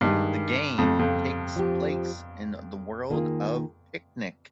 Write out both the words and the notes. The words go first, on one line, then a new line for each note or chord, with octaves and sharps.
The game takes place in the world of Picnic.
G2 D#3 G#3 D#4 G#4
F2
F2
F3 C4 G4
D#3 A#3 F4 G#4